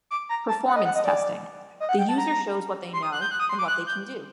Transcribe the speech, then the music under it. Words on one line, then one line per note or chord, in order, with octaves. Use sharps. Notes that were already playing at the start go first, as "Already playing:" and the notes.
Performance testing - The user shows what they know and what they can do.
D6
A#5
A5
F#5
D#5
F#5
D#5
D5
D#5
F#5
G5
A5
A#5
C6
D#6
F#6
G6
F#6
D#6
C6
D6
F#6
G6